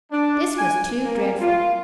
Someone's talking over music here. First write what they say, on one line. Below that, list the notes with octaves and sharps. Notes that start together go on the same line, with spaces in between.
This was too dreadful.
D4
G#5
A#3
F4